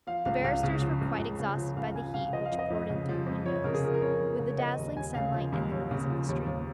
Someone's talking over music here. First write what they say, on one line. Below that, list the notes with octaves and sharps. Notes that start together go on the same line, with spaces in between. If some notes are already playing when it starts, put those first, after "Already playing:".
The barristers were quite exhausted by the heat which poured in through the windows, with the dazzling sunlight and the noise of the streets.
F3 F5
C#2 F5
C#2 F5
C#3
F3
C#2
C#2
C#3
F3
C#2 F5
F5
C#2 G#5
C#3 F5
F3 D#5
F5
F2
D#5
F2
C#3
F3
F2
F2 C#5
C#3 A#4
G#4
F3 A#4
A#4
F2 C#5
F2
C#3
C#5
F3 D#5
D#2
D#2 G#5
C#3 F5
F3
D#2
D#2
C#3
F3
D#2
D#2